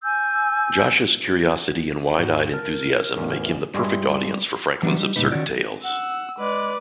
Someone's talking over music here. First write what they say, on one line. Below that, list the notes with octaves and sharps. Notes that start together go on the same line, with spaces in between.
Josh's curiosity and wide-eyed enthusiasm make him the perfect audience for Franklin's absurd tales.
G#5 E6 G6
G#2 F#4
A#4 A5
A1 E2
G2 G3 G#3 E4
E3 F#3 G3 B3 D4
G3 D#4
C#2 A#2 G3 D#4 B4
D#3 C#4 F#4 D5
F#5 E6
G#3 B4 D5